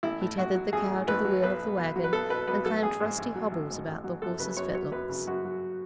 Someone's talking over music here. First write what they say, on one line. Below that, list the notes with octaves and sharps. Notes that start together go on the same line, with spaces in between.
He tethered the cow to the wheel of the wagon and clamped rusty hobbles about the horses' fetlocks.
A1 E4
A2
A1 F#4
F#3
A1 G#4
A2
A1 B4
F#3
B1 B4
B2
B1
F#3
B4
B1 A4
B2 B4
B1 B4
F#3 A4
A1 G#4
G#2
A1
F#3
A1
G#2
A1
F#3
F#2 A4
C#3 B4
F#2 C#5
F#3 C#5
F#2 B4
C#3
F#2 F#4
F#3